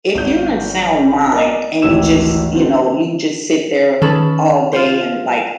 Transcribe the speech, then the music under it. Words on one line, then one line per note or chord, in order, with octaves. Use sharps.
if you're in sound mind and you just you know, you just sit there all day and, like,
G#1 G6
A#4 D5 D#5
D1 G#1 E3 G4 E6 E7
D3 C4 F#4
D#3 C#4 A4 B4
F4 C5